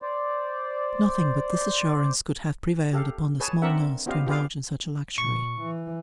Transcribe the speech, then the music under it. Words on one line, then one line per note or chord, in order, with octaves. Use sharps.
Nothing but this assurance could have prevailed upon the small nurse to indulge in such a luxury.
C5 D5
G4 A4 F5
G#4 B4 C#5 G#5 A5
C4 D4 A#4 D5 E5 F#5
B3 C#4 F4 G4 D#5 F5
F4 G4 G#4 B4 D5 F5
A#2 C#6
E3